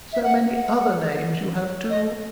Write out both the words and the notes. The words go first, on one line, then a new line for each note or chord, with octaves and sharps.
So many other names you have, too.
E5
F#5
F#5
D#5